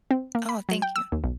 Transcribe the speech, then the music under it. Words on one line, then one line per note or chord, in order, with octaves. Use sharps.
Oh, thank you.
C4
A#3
B5
F#3
G5
E6
D#2
B1